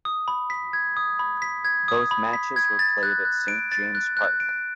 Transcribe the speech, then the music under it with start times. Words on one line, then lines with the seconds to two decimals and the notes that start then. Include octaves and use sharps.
Both matches were played at Saint James Park.
0.05 D#6
0.28 B5
0.50 B6
0.73 G#6
0.97 D#6
1.19 B5
1.42 B6
1.65 G#6
1.88 D#6
2.11 B5
2.33 B6
2.56 G#6
2.79 A6
3.03 F#6
3.25 F#6
3.48 D7
3.72 A6
3.95 F#6
4.17 F#6
4.40 D7